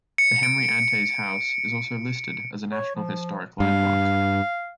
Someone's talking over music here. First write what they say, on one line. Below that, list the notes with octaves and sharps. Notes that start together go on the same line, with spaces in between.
The Henry Antes House is also listed as a National Historic Landmark.
C#7
D7
C#5
F3
G2 F5